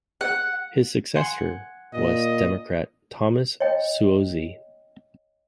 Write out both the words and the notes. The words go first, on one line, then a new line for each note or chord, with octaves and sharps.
His successor was Democrat Thomas Suozzi.
F#5
F#5 G#5 C6
A#2 D#5
C#5 D#5 G5